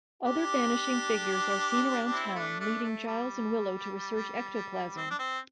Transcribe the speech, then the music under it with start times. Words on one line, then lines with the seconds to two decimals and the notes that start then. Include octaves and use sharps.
Other vanishing figures are seen around town, leading Giles and Willow to research ectoplasm.
0.23 D4 G4
2.12 C4 E4
2.36 A3 D4
2.60 A3 D4
2.83 A3
3.07 G3
4.95 C4
5.11 D4
5.19 C4